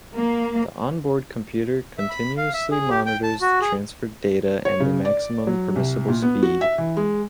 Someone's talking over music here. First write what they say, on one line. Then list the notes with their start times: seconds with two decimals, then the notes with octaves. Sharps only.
The on-board computer continuously monitors the transferred data and the maximum permissible speed.
0.16 A#3
1.98 E5
2.10 B5
2.37 F5
2.54 E5
2.71 G#4
2.90 G4
3.06 G5
3.23 A5
3.41 F#4
3.61 G#4
4.65 C#5
4.80 C#3
5.05 D5
5.47 F#3
5.76 C2
6.08 A#2
6.22 B3
6.43 F#4
6.61 E5
6.78 E3
6.97 G#3